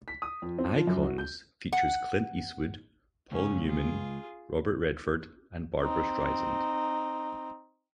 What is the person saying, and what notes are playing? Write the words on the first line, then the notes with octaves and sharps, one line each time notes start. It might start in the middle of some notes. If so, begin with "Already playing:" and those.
"Icons" features Clint Eastwood, Paul Newman, Robert Redford, and Barbra Streisand.
B6
D#6
F2
C4
F3
F#2
F#4
G6
F#5
C#2 C#4
F4 G#4
C4 D#4